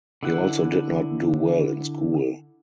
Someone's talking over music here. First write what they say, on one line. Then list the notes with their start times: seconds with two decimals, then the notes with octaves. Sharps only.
He also did not do well in school.
0.23 D3 E4 F#5